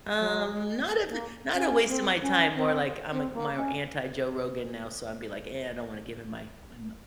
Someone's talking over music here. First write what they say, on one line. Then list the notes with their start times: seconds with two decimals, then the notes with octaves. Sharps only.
Um, not of th not a waste of my time, more like I'm a m more anti-Joe Rogan now, so I'd be like, "Eh, I don't wanna give him my my m"
0.19 F#3
0.53 G#3
1.09 A#3
1.54 C#4
1.88 C4
2.22 C#4
2.56 C4
3.12 C4
3.34 A#3
3.56 C#4